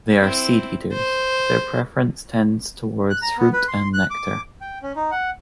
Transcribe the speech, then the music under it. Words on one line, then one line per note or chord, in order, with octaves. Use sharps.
They are seed eaters, but their preference tends towards fruit and nectar.
C4 E4
C5
F#6
A#5
B3
B4
C6
F#6
D6
G5
C#4
D#4
F#5